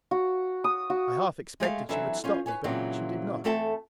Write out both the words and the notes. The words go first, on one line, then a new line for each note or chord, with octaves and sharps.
I half expected she would stop me, but she did not.
F#4
D#6
F#4
G#3 A3 G4 A4 B4 F5
E3 F#3 C4 D4 A4 E5
F3 C#4 F4
B4 C#5 G#5
A#2 C#3 E3 F#3 C4
E2 A3 C4 A4 E5 A5